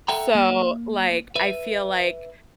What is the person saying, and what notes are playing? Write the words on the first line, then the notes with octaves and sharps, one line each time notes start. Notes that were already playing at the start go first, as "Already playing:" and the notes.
so, like, I feel like
A4 E5 F#5 G5 A#5
A#3
B4 E5